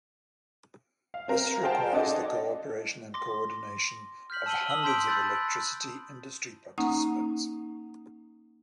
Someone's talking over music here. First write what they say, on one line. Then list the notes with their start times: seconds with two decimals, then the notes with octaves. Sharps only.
This requires the cooperation and coordination of hundreds of electricity industry participants.
1.14 F5
1.28 C4 A#4 F5
1.63 F#4 G#4 C5 F5 G5 A5
1.93 C#4 D#4 F#4 A4 D5 D#5
3.14 C6 D6 A#6
4.30 F6 G6 B6 F#7
4.46 A5 E6 D#7 F#7 G7
4.69 A5 D#6 E6 F#7 G7
4.83 A5 C6 G6 B6 D7
5.08 B5 E6 F#6 G6 A6
6.78 A#3 C#4 D#4 F#5 A#5